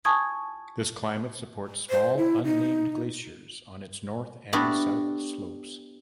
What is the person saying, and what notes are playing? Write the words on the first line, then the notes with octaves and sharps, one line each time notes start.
This climate supports small unnamed glaciers on its north and south slopes.
G#5 A5 C#6 D#6 G#6
C5
E4
D#4
B3 D4 E4 F#4 G4 A4